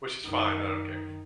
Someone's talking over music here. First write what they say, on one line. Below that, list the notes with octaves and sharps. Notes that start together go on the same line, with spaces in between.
which is fine, I don't care,
F#2 D#3